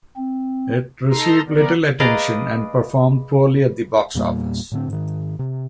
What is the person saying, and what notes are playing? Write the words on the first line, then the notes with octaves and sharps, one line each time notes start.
It received little attention and performed poorly at the box office.
C4
D#4 A4 A#5 C6
E3 B3 A#4 D5
G#4 B4 D5 D#5 F5 A#5
E2 A#2 G3 A#3
A2 D3 C4
G#2 D#3
C3